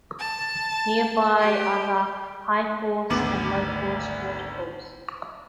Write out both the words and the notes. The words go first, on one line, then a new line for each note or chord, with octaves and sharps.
Nearby are the High Force and Low Force waterfalls.
A5
G4
G#1 D2 B3 D6 F#7